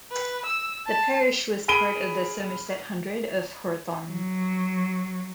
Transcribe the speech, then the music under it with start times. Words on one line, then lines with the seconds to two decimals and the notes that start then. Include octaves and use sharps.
The parish was part of the Somerset hundred of Horethorne.
0.12 B4
0.46 E6
0.87 A5
1.68 G#4 B5 D7 D#7 G7
4.08 F#3